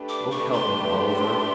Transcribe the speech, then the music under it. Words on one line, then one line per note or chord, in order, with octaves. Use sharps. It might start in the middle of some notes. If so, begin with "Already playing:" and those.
"Oh help me, Oliver."
Already playing: A3 D4 G4 B4
D6
C#6
C6